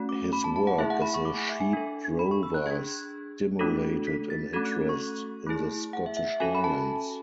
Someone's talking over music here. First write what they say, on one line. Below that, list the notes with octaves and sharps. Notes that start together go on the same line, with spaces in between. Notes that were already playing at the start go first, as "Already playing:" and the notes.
His work as a sheep drover stimulated an interest in the Scottish Highlands.
Already playing: A3 C#4 F#4
D6
B5
A5
A5
F#5
A3 E4 G#4 E5
F#5
B5
C#6
D6
G#5
E5
G#5
D4 A4
B5
C#6
E6
F#6
D4 G#4 G#6
A3 D4 F#4 A4
B6
A6
A3 C#4 F#4 A4 G#6
F#6
C#6
A3 E4 G#4
F#5
E5
E5
E5
C#4 F#4 A4 G#5
B5
A5